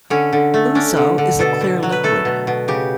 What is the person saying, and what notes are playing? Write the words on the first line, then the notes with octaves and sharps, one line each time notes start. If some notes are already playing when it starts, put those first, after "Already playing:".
Ouzo is a clear liquid.
D3 C#4
D3
A3
C#4 D4
D3
D3
B2 A4
B2
F#3
B4
A3 A4
B2
B2
C#3 G4